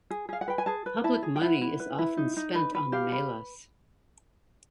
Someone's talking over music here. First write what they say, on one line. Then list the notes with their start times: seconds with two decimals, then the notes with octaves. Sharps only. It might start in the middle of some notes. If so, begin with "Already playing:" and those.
Public money is often spent on the melas.
0.10 G#4
0.29 G#4 F5
0.41 F#5
0.48 B4 G5
0.58 G#5
0.66 G#4 A5
0.86 B4
1.04 E4 A5
1.23 G#4
1.36 G5
1.42 E4 F#5
1.61 E4
1.80 B4
1.98 E4
2.17 D#4
2.37 D#4
2.55 B4
2.75 B4
2.92 G4 F5
3.12 B4